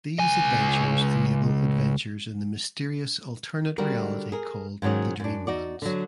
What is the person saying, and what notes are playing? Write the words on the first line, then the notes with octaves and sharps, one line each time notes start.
These adventures enable adventures in the mysterious alternate reality called the Dreamlands.
C#2 G#5
D3 G3 F#4 A#4
G#4 A#4
G#2 D#3 F#3 C#4 G#4
F#2 D4
D#4 F#4 D5
D3 F#3